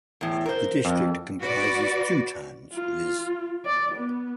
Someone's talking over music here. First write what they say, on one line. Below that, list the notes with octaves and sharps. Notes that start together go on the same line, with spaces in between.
The district comprises two towns viz.
E2 A2
A#4 C5
F2
F#4 B4 D5
F4
D5
B3